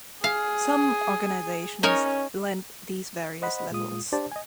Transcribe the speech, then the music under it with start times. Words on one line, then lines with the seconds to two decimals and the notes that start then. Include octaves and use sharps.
Some organisations blend these various levels.
0.24 G#4 F5
1.83 C#4 D#4 A#4 C#5
3.42 C5 D#5 F#5 B5
3.71 A#2 G#3 F4 D#6
4.12 D4 G4 C5 D5 A5
4.32 D#5 G#5